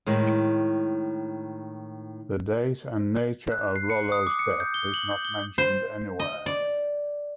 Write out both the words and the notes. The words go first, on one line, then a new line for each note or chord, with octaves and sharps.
The date and nature of Iollas' death is not mentioned anywhere.
A2 D#3 G#3
F#6
C7
C#7
D#6
D6
C#7
G6
G7
F#7
G6
G7
C5
D#5
D5